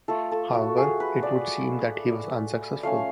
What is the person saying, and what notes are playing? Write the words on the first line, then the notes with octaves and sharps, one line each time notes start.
However it would seem that he was unsuccessful.
A3 F4 A4
A4
F#4
G#4
B4
D5
F3 A3 C#4 F5